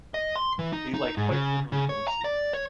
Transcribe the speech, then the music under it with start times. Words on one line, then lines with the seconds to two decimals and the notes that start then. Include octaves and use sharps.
they like quite literally don't see it.
0.14 D#5
0.36 C6
0.59 E3
0.73 D#4
0.94 D#4
1.17 G#2
1.31 C#3
1.72 C#3
1.89 C#5
2.08 A#5
2.24 D5
2.53 C#5